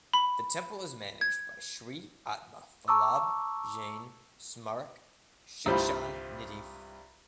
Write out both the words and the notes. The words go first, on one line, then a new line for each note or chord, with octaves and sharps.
The temple is managed by Shree Atma Vallabh Jain Smarak Shikshan Nidhi.
B5
G#6
A5 A#5 C#6 D6 E6
C2 G2 G3 F4 C5 B5